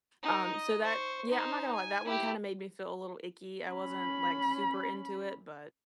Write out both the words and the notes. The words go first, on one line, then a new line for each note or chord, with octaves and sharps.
Um, so that yeah, I'm not gonna lie, that one made me feel a little icky, I wasn't, like, super into it, but
D#4 A#4
D#5
C5 C#6
D#4 C5
G#5
E4 G4
C#4 B5